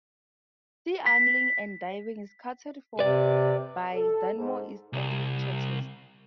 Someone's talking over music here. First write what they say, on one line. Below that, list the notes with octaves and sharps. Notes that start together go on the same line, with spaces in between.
Sea angling and Diving is catered for by Dunmore East Angling Charters.
B6
C3 B4 D5
A4
G#2
C2